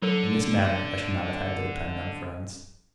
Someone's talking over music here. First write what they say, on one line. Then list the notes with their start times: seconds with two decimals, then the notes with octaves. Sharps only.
In this matter I should not have had to depend on friends.
0.02 D3 F#3 A4